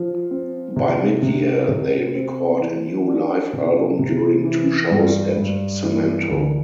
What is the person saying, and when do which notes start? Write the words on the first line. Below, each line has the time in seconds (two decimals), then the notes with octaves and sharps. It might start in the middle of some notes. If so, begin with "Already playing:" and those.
By mid-year, they record a new live album during two shows at Cemento.
Already playing: F3
0.31 C4
0.76 C3
1.22 C3
1.69 C3
2.15 C4
2.61 E3
3.07 D4
3.53 C3
3.99 C3
4.45 E3
4.91 G2
5.37 G2
5.84 E3
6.29 D2